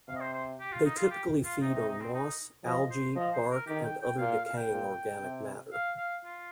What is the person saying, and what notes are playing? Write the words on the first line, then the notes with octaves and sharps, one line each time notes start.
They typically feed on moss, algae, bark and other decaying organic matter.
C3 F5
D#5
C5
C5
G4
F4
D#4
F4
G4
F4
C3 D#4
D#4
D#4
C4
D#4
F3 D#5
C5
F3 D#5
C5
A#4
D#3 G4
G5
G5
A#2 F5
F5
F5
G5
A#2
C3
F5
F5
F4